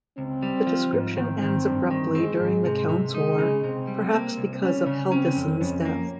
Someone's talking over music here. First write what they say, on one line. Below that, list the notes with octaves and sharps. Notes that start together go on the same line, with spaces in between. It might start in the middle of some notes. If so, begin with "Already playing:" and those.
The description ends abruptly during the Count's War, perhaps because of Helgesen's death.
C#2 C4
G3
F3
G#2
D#3 C4
D#3
G2
D#3
G#3 C4
G#2
C3
C3
G#3 D#4
C#3
C3 C4
G3
A#3
C2
G3 C#4
C#3
C4 C#4
F2
F2 C#4
A#3